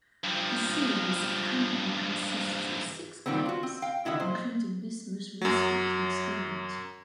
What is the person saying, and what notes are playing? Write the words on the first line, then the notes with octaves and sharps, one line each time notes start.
The series currently consists of six games, including this most recent installment.
G2 F3
A#2 D#3 G3 B3 C4
F4 F#4
C4
F5 G5
D3 D#3 A3 E4 F#4
A#2 C5
F#2 F#3